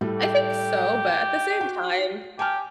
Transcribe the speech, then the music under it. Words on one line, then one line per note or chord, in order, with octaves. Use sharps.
I think so, but at the same time,
A2 G3 A3
G4
F#4 G5
G4 G#5 A5 F6